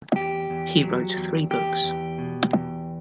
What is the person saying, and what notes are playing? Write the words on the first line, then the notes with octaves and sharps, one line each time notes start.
He wrote three books.
E2 G4
E2
F#3
E2
E2 G4
E2
B2
E2